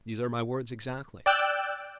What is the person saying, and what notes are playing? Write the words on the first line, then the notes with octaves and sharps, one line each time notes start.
"These are my words exactly."
D5 G5 E6 F#6